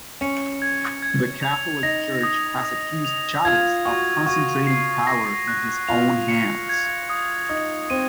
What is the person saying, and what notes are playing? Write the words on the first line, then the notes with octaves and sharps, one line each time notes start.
The Catholic Church has accused Chavez of concentrating power in his own hands.
C#4 C#7
G#6
G#6
F7
D#4 A#6
D#6
D#6
F7
F4 G#6
F#4 C#6
F#4 C#6
C7
A#6
F#6
F4 F7
C#7
G#6
D#6
D#4 D#6
C4 D#7